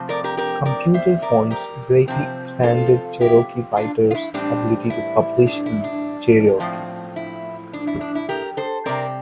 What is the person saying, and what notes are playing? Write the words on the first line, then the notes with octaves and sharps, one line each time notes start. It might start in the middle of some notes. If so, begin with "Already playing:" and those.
Computer fonts greatly expanded Cherokee writers' ability to publish in Cherokee.
Already playing: C3 F3 A3 C4
A#4 D5
G4 A#4
G4 A#4
A#4 D5
C5 E5
A#4 D5
G4 A#4
C3 F3 C4
F4 A4
E4 G4
D4 F4
F4
E4
A2 E3 G3 C4 D4
E4
D4
E4
D4
A2 F3 C4
E4
D4
E4
D4
E4
G4 A#4
A4 C5
C3 G3 C4 A#4 D5